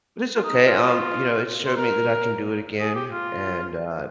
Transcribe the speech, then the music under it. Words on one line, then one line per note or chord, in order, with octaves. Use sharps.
but it's okay. Um, you know, it showed me that I can do it again, and, uh,
F4
D#4
F4
C5
A#4
G#4
G4
F4